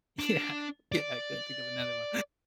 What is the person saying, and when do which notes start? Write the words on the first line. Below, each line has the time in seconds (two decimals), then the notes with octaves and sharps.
yeah, yeah, I couldn't think of another one,
0.19 D4
0.92 D5